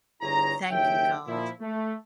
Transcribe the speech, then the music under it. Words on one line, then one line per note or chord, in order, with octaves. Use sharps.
Thank you God.
G1 D3 E4 G#4 C#5 A#5
F#1 D#2 C#5 E5 G5
A#2 F3 E4
A3